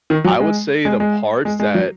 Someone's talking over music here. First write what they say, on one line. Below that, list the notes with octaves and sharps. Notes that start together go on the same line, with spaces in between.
I would say the parts that,
D#3
F#3
G#3
G#3
G#3
G#3
G#3
F#3